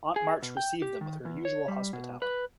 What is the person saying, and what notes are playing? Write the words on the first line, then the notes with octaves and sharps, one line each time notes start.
Aunt March received them with her usual hospitality.
G#4
B2
G5
G4
D#3
E2
C#5
G3
B2
B4